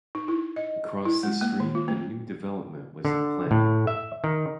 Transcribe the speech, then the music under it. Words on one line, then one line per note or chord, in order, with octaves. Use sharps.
Across the street a new development was in planning.
D#4
E4
D#5
E4
G#3
A#3
D#3
F4
A3
D3
A2
E5
D#3